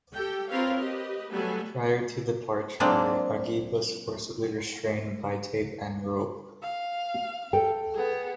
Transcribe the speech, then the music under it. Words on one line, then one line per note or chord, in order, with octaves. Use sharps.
Prior to departure, Ageeb was forcibly restrained by tape and rope.
G4 A4 G5
C4 F4 A#4 B4 C#5 F5
G4 B4 D#5
F#3 G3 A3 B3 A4 G#5
F#3 G#3 A#3 C4 D4
F5
A4 G5
B3 G#4